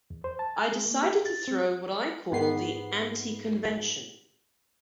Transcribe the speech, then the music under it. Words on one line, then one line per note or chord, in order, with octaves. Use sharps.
I decided to throw what I call the 'anti-convention.
E2
C5
A5
G#5
G#3
A#3
G4
A6
C4
G#2 B3 C7